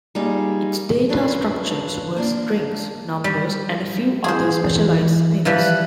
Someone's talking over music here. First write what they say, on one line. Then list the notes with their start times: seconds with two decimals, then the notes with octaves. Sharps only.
Its data structures were strings, numbers and a few other specialized things.
0.15 G3 A#3 D#4 F4 G#4
1.09 F#3 D4 F4 B4
2.16 A#3 D4 F4
3.24 G3
4.24 E3 G#4 C5
5.45 E3 F3 G3 F#6